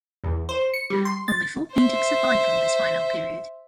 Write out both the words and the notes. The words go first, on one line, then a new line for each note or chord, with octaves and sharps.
Only four paintings survive from this final period.
E2
C5
C#7
G3
C6
A6
C5 E5